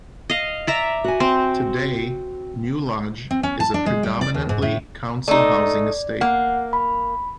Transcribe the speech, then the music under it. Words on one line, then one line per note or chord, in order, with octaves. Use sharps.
Today New Lodge is a predominantly council housing estate.
D#5 F5
D5 E5 A#5
F#4 G#5
C4
C4
C#4
A5
D4
G#3
G3
D5
D#2
G#2
A2
A3 D#4 D5
A#3 F#5
B5